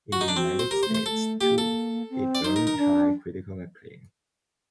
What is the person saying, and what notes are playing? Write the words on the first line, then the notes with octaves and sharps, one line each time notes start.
In the United States, too, it earned high critical acclaim.
F#4
D#4
D4
C4 F#4
C5
G4 A#4
C5
A3
C5
A3 A4
A#3 G4
A4
C4
D5
D#4 C5
A#4
A#4
D4